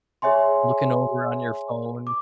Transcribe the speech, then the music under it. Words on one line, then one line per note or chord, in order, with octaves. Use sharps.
looking over on your phone.
G#4 C#5 E5 G#5 C6
D6